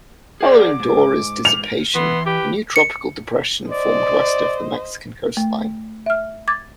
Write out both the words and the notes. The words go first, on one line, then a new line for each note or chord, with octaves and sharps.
Following Dora's dissipation, a new tropical depression formed west of the Mexican coastline.
G#4 D5 F#5 D6
G#2
F7
E3 B3 C6
G4 B4
C#7
C5 D5 D#5
A3
E5 F6
D6 G#6 A6